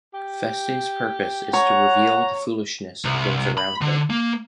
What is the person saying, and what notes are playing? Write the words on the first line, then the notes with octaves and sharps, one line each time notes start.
Feste's purpose is to reveal the foolishness of those around him.
G4
C#5 F#5 A#5
C2
B5
D3
A#3